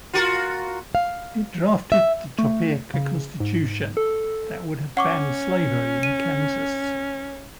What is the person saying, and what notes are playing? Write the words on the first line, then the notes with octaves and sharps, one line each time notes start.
It drafted the Topeka Constitution that would have banned slavery in Kansas.
F4 F#4 A#4
F5
E5
A3
C#3
G#2
A4
C#4 F#5 C#6 D6
D#7